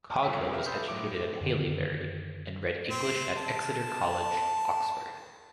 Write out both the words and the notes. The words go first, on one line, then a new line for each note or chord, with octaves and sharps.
Coghill was educated at Haileybury, and read English at Exeter College, Oxford.
C2 F4 A4 C#5 B6
G4 A#4 B4 E5 F5
A4 F5 B5 C6 D#6 G6
A2 F#3 F#4 E5 D6 D7
F#2 D3 D#3
C4
A5